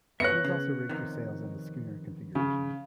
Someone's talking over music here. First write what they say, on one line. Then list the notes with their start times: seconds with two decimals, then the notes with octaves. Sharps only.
She was also rigged for sails in a Schooner configuration.
0.20 C2 B3 C#5 E5 F#6 A#6 C#7
0.44 C#3
0.89 F2 C3 D#3
2.35 C#3